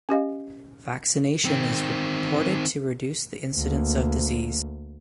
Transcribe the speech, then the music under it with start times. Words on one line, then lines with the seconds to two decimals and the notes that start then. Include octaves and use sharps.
Vaccination is reported to reduce the incidence of disease.
0.09 C#4 G4 D#5 F5
1.45 D#3 C4
3.55 D2 A#3